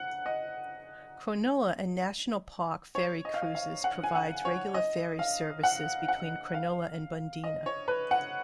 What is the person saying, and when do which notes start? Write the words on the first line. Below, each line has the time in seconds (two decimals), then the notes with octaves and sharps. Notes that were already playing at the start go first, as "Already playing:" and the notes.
Cronulla and National Park Ferry Cruises provides regular ferry services between Cronulla and Bundeena.
Already playing: F#5
0.26 D#5
2.95 C#5
3.25 D#5
3.34 F5
3.42 D#5
3.55 F5
3.84 F#5
4.04 G#5
4.15 F#5
4.45 C#5
4.74 D#5
5.19 F5
5.63 F#5
6.08 F#5
6.54 F5
7.44 D#5
7.66 C#5
7.88 B4
8.11 F#5